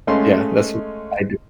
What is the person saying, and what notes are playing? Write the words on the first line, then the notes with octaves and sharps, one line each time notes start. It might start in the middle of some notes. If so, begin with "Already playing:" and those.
Yeah, that's what I do.
G#3 A3 C#4 D#5 F5 C6